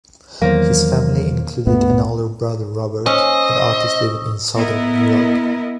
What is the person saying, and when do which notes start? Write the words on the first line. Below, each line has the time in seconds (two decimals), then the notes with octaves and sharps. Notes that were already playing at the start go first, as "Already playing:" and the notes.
His family included an older brother Robert, an artist living in southern New York.
0.42 E2 D#3 E3 F#3 A#3 C5
1.67 C#2 G2 A#2 A3 B3
3.06 C#4 C5 D#5 C#6 D#6 E6
4.56 B3 E4 A#4 D#5